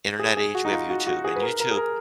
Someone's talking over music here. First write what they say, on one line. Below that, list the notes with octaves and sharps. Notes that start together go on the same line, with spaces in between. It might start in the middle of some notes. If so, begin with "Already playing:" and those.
internet age, we have YouTube, and YouTube,
G#4
G#4
F#4
D#4
F4
F#4
F#4
G#4
B4
A#4
A#4
G#4
A#4